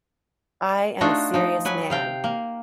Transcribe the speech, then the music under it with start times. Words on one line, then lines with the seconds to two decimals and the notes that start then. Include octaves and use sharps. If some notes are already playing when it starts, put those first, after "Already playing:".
I am a serious man.
1.01 A3 D4 D#4 F4 F#4
1.34 F3 D#4
1.65 F#3 B4 G#5
1.90 C3 F5 G5
2.24 A#3